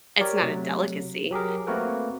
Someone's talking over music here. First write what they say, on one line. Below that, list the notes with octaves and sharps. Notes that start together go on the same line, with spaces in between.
it's not a delicacy.
G4 A#4 C#5 D5
C3 F#3 A3
F#3 G4 G#4 A#4
A3 A#3 C4 F#4 A#4 B4